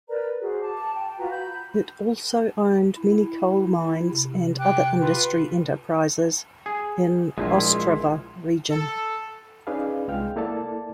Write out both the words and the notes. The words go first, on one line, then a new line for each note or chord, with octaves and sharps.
It also owned many coal mines and other industry enterprises in Ostrava region.
A#4 B4 D5 A#5
F#4 G#4 C5
A5 D6
G5
F4 F#4 B4 A#5
B5 G6
E4
C3
G5 D6 F#6
F4 B4 C#6
G#4
A#1 G#3 E4 F4
A4
C#4 D#4 G#4 B4 D5 F5
C2 G#3 F4 F5 G5 F6
A#3 E4 A4 D5 A5